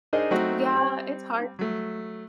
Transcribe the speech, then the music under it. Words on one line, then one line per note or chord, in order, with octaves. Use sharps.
Yeah, it's hard each year
D4 D#4 G#4 A#4 C5 D#5
F#3 A3 C4 D#4 F#4
G3 C4
F#3 A3